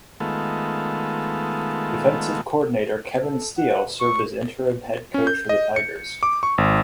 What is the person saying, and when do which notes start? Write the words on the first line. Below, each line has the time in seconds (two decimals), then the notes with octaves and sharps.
Defensive coordinator Kevin Steele served as interim head coach for the Tigers.
0.20 D#3 G#3 A3 B3 F4 A4
3.21 A4
3.57 F#5
4.00 C#6
5.14 C#4
5.27 G6
5.49 D#5
5.76 C#7
6.23 D6
6.43 C#6
6.58 G#1